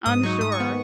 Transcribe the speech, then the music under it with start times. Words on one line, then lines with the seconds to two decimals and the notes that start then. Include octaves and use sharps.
I'm sure.
0.06 G#2 D#6
0.23 F#3 D#4 C#6
0.41 G#2 D#6
0.52 C#6
0.58 D#3 G#3 B3